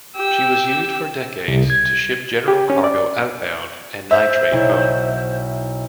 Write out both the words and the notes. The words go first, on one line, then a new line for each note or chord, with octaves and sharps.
She was used for decades to ship general cargo outbound and nitrate home.
G4 E6
C2
G#6
G4
C#4
D5
C5 E5
B1 E4